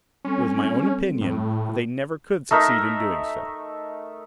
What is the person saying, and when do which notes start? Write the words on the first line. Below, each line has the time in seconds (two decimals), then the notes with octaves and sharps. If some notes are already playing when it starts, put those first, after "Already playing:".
It was my own opinion that they never could succeed in doing so.
0.25 G3 C4 C#4 A4
1.21 A2
2.51 A3 D#4 A#4 E5